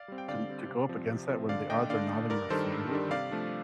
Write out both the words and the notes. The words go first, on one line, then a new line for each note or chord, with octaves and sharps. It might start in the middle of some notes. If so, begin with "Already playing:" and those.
to to go up against that when the odds are not in your favor,
Already playing: D5 F5
G3 C4
G5
D3 D5 F5
G3 C4
C3
F3 C4
C3
F3 C4
D3 D5 F5
A3 D4 D#5 G5
D3 D5 F5
A3 D4
G2 A#4 D5
D#3 G3 D4 A4 C5
G2
D#3 G3 D4
C3 D5 F5
F3 A3 D4